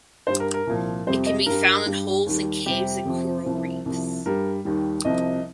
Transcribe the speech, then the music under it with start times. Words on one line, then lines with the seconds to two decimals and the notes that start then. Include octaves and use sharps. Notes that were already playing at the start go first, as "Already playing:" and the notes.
It can be found in holes and caves in coral reefs.
0.27 G2 G3 C5
0.40 A#4
0.54 A#4
0.67 C2 A#2 F3
1.07 F2 C3 G3 C5
1.26 D#5
1.46 G2 G3 A#4
1.86 G2 G3
2.26 D#2 D#3 G3
2.66 F2 C3 G3 G4
3.05 F2 C3 F3
3.46 C2 C3 F3
3.86 C2 C3 F3
4.25 G2 G3 A#4
4.65 D#2 D#3 G3
5.05 C2 C3 F3 D#5